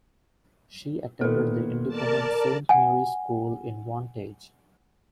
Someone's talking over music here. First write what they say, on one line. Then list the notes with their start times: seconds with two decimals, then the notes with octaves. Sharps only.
She attended the independent Saint Mary's School in Wantage.
1.21 A#2 D#3 B3 A4
1.88 A#4 D5 A5
2.69 F#5 G#5